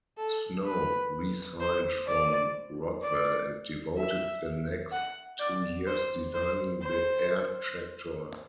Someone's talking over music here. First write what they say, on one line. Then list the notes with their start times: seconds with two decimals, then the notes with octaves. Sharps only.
Snow resigned from Rockwell and devoted the next two years designing the Air Tractor.
0.18 A4
0.65 B4
1.60 C5
2.07 D5
3.03 D5
3.98 E5
4.92 F#5
5.40 D5
5.87 C5
6.35 C5
6.83 C5